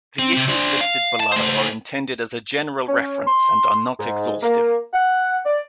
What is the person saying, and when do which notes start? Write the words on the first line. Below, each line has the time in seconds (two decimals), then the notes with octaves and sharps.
The issues listed below are intended as a general reference and are not exhaustive.
0.19 C4
0.33 C3 C4
0.49 D4 C5
0.81 F5
1.20 A5
1.32 A3 C5
2.88 C#4
3.27 C6
3.99 G#2
4.43 A#3
4.93 F#5
5.45 D5